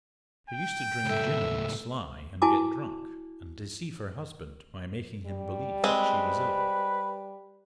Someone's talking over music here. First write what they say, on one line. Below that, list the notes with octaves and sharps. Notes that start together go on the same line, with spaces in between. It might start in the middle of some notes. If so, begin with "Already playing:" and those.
She used to drink gin on the sly, and get drunk, and deceive her husband by making him believe that she was ill.
G5
C#2 A2 A4 E5
E4 F#4 G#5 A5 D6
G3
G#3 C4 B4